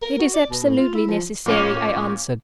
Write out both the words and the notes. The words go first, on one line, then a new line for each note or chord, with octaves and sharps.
"It is absolutely necessary," I answered.
A#4
F#4
D5
B2
A2
F4
E4
F3
A2 A#3 C#4